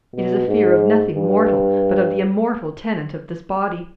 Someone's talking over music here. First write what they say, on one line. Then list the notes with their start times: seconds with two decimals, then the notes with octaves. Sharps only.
It is a fear of nothing mortal, but of the immortal tenant of this body.
0.15 B2
0.48 G#2
1.14 G2